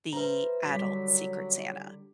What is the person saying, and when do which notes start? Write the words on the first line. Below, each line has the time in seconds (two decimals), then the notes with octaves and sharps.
the adult Secret Santa.
0.13 B4 C5 E5 A#5
0.65 D3 F#3 G3 B6